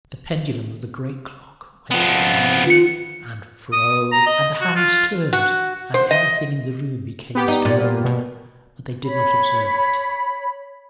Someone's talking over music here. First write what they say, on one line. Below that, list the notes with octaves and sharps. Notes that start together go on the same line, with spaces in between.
The pendulum of the great clock went to and fro, and the hands turned, and everything in the room became still older; but they did not observe it.
F3 B3
F4 C#7
D#6
A#5
D#5
F#4
F4
F#4
C5
D#5
B3 G4
D#4
A#2
B2
C#5 B5